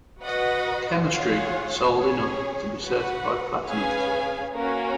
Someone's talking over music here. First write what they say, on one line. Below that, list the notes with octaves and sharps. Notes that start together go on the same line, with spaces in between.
"Chemistry" sold enough to be certified platinum.
F#4 B4 D#5 F#5
F4 G#4 C#5 F#5
C#4 G#4 C#5
F#4 B4 F#5
C#4 G#4 B4 F5 G#5
A#3 C#4 F#4 A#4